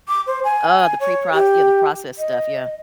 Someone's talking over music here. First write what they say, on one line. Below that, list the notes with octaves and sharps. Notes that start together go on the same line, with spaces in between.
Oh, the preproc yeah, the processed stuff, yeah.
D6
C5
G#5
C#5
G4
D#5